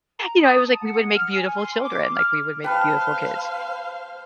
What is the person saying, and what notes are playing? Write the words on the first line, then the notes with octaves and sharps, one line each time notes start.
you know, I was, like, "We would make beautiful children, like, we would make beautiful kids."
A#5
D#6
A5
F#5
F6
G#5
C6
D6
F6
B4 C5 F5 G5 A5 F6